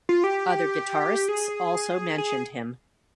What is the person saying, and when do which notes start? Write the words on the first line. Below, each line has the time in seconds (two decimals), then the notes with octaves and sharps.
Other guitarists also mentioned him.
0.09 F4
0.24 G4
1.29 G#4
2.18 G#4